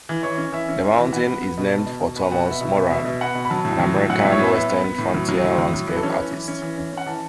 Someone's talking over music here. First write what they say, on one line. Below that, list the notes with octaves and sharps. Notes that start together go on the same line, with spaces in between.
The mountain is named for Thomas Moran, an American western frontier landscape artist.
E3
E3 C#5
C#4
E3 E5
C#4
E3
E3
B3 F#5
B3
B3
B2
B3 A5
B2
B2
B3
B2 F#5
B3
E5
B2
E5
B3
B2 E5
B2
B3 F#5
B2
B5
F#3 A5
A2
F#3
A2
F#3 F#5
A2 E5
C#5
B3
E5
B3
B3
B3
A2
F#3
F#3
A2
F#3
F#3
E3 B4
A4
C#4 B4
E3
E3
C#4
E3
C#4
C#4 F#5
E3 A5